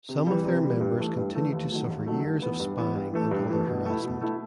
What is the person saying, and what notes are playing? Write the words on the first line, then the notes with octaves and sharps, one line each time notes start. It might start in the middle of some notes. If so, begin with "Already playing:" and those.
Some of their members continued to suffer years of spying and other harassment.
C3
E3 G3
C3
E3 G3
G2
E3 A3
G2
E3 A3
D#2
D#3 F#3 A3
D#2
D#3 F#3 A3
G2
E3 B3
G2
E3 B3
G2
E3 A3
G2
E3 A3
B2
A3 E4
B2
A3 E4